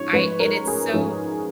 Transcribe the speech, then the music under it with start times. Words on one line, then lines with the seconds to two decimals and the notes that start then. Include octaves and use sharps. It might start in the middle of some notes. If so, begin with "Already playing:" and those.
I and it's so
Already playing: G#2 F3 C#4 C#5
0.12 G#2 F3 G#3 C#4 B4
0.40 A#4
0.67 G#4
0.93 G#2 F3 G#3 C#4